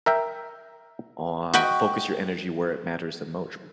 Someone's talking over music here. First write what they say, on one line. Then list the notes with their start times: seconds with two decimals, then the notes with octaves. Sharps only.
on focus your energy where it matters the moch
0.06 A#4 E5 G5
1.54 F#4 D#5 G5 B5